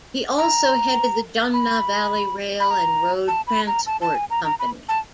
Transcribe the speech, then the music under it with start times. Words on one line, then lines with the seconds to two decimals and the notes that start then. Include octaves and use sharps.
He also headed the Jumna Valley Rail and Road Transport Company.
0.38 A#5
1.54 B5
2.60 B5
2.71 A#5
3.28 A5
3.47 B5
3.67 A#5
3.87 A5
4.01 A5
4.15 G#5
4.30 A#5
4.45 A#5
4.60 B5
4.89 A5